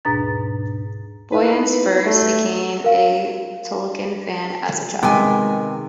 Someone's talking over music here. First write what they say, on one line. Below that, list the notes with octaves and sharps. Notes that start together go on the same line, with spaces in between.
Boyens first became a Tolkien fan as a child.
D#2 G#2 B2 D4 A#5 A6
D#4 E4 B4 F5
A3
A#4 F5
C3 D#3 G#3 B3 G5 G#5